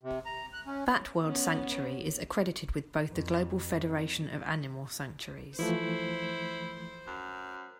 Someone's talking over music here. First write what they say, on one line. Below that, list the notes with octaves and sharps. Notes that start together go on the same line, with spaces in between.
Bat World Sanctuary is accredited with both the Global Federation of Animal Sanctuaries.
C3
A#5
F#6
C#4
B3 C#4
F2
E3 F3 A3 E4 C5
F#2